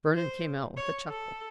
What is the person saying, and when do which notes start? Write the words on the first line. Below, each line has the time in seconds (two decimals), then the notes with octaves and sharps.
Vernon came out with a chuckle.
0.15 C5
0.77 C#5
1.08 A4